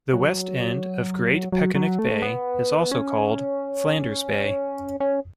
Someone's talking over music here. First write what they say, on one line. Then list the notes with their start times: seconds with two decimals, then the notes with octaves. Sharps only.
The west end of Great Peconic Bay is also called Flanders Bay.
0.13 F#3
1.52 F#3
1.75 F#3
1.99 A3
2.22 B3
2.91 C#4
5.00 C#4